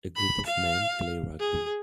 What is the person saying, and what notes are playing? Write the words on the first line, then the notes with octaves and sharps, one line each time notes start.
A group of men play rugby.
B5
F5
G#4